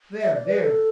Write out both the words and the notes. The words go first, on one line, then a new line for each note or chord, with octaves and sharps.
There, there!
E5
D5
B4
A4